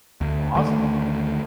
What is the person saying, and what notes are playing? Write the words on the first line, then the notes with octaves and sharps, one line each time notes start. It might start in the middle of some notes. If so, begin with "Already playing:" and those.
Oh awesome.
D2
D2 D#3 F3 A3